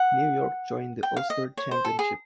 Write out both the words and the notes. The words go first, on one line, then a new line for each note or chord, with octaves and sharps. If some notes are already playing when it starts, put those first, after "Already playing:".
New York joined the Ulster Championship.
Already playing: F#5
G5
F5
D#5
C#5
C5
A4
G#4